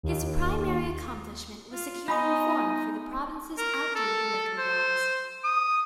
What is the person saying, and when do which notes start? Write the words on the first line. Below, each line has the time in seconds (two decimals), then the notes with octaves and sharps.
His primary accomplishment was securing reform for the province's outdated liquor laws.
0.03 D#2
1.72 F4
2.08 B3 D#4 F4 D#5 G#5 B5 C6 D#6
3.58 A#4
3.96 A4
4.58 C5
5.44 D#6